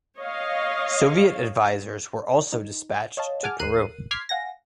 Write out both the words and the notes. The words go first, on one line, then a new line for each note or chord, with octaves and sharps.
Soviet advisors were also dispatched to Peru.
C#5 D#5 F5
D#4
C#5 D#5 F5 A5
G#4 F#5 G#5 A5 D6 F6
G#1 D#2 A#4 F#6 C7 D#7
C6 D6 F6 G#6 B6 C7
F5 F#5 G#5 A#6